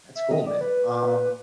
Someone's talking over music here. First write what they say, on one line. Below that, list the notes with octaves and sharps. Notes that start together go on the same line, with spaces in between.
that's cool, man. Um
E5
D#5
D5
B4